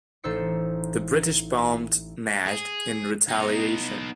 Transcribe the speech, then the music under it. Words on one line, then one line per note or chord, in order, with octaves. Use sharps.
The British bombed Najd in retaliation.
A1 D#4 A4 C5 E6 C#7
G#4
B3 D#4